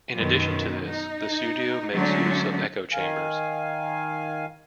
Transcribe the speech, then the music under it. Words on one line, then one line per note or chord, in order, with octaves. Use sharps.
In addition to this, the studio makes use of echo chambers.
F#2 B2 D#3
D#4
D3 F#3 G#3 A3 C#4 D4
D#3 F5 G#5